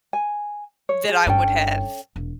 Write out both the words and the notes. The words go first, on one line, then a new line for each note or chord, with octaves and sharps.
that I would have"
G#5
C#5
G#4
G1 G2 C#4 A4 G5
E1